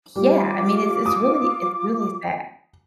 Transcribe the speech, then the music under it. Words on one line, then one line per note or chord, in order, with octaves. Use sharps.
Yeah, I mean, it's it's really it's really sad.
G3 F4 D6
D#6